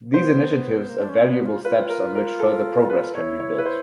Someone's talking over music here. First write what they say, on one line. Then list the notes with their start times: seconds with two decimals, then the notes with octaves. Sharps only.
These initiatives are valuable steps on which further progress can be built.
0.14 B3 C5
0.89 A#3
0.99 D4
1.09 C#4
1.18 C4
1.27 B3
1.46 F4
1.64 F4 B4
1.89 A#4
2.15 A#4
2.40 A4
2.90 B4
3.15 E4 C#5
3.40 C#5
3.58 B4
3.66 C5